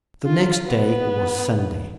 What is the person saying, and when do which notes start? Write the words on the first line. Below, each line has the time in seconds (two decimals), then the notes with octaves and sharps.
The next day was Sunday.
0.25 F4
0.67 B3